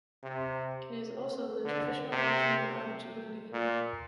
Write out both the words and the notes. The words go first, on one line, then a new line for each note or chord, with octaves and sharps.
It is also the traditional regiment of Djibouti.
C3
D3
C3
A#2